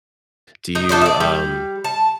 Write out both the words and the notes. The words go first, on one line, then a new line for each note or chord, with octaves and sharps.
Do you, um,
D#4
D4 D#4 F4 D5
D5 E5
G3
A5